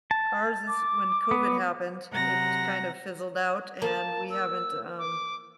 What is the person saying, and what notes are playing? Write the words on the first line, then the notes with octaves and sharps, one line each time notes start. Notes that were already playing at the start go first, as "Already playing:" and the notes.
ours is when COVID happened, it kind of fizzled out, and we haven't, um,
A5
D6
B3
C3 F#3 F#5 A#5 A#6
A#3 A5
E6
D6